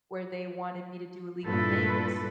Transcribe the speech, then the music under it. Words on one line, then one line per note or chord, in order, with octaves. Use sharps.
where they wanted me to do illegal things.
G2 A#2 E4 A4 B4